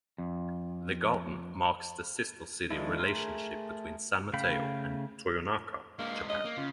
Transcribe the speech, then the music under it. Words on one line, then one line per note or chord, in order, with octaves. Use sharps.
The garden marks the sister-city relationship between San Mateo and Toyonaka, Japan.
F2
D#3 F3 G#3 D4 E4
A3 G#4 A#4 C6
C#3 A3 F5 G5 B5
G#3 A#3 D4
D#5
A#3
C#3 F4